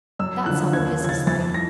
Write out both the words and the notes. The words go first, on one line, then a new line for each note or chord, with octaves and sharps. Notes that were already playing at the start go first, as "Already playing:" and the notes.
That sounded business-like.
F#2 E6
D3 F3 F#6
D#2 G#6
C#3 F3 G#6
A6
F2 A6
E3 A#6